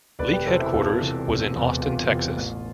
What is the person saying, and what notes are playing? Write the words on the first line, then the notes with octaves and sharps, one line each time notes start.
League headquarters was in Austin, Texas.
E1 B4 D5
G4 B4
E2 C3 A4 C5
E4 G4
E1 F4 A4
E2 C3
E1
E2 C3
E1 F4
E2 C3 F4
A1